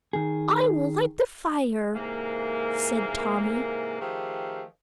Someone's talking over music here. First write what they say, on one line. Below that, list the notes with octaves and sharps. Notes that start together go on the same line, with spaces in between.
"I will light the fire," said Tommy.
D#3 G#4
G#2 C3 E3 A#3
D#3 F3 A3 G4 G#4